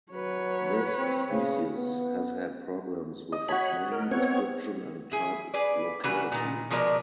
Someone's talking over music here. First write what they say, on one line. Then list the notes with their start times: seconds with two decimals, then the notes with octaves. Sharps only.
This species has had problems with its name, description and type locality.
0.12 F#3 B4 C#5
0.98 C4
1.30 C#3
1.76 B3
3.32 D#5
3.48 F#4 C#5 A5 B5
3.92 A#4
4.11 B3 C4 C#5
5.12 E4 G#4
5.54 G#4 B4 D5
6.04 C#3 E3 A#3 F#4 B4
6.32 A#2 D#3
6.70 B2 F3 G#3 A#4 D5